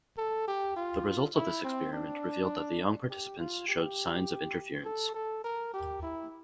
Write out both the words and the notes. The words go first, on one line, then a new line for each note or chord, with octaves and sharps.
The results of this experiment revealed that the young participants showed signs of interference.
A4
G4
F4
E4
C4
D4
G4
F4
G4
A4
A4
A#4
G4
E4